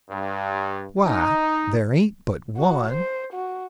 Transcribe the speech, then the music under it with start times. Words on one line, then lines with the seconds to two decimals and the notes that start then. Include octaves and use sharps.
"Why, there ain't but one."
0.11 G2
1.06 D#4
2.56 F#4
2.91 C5
3.33 F#4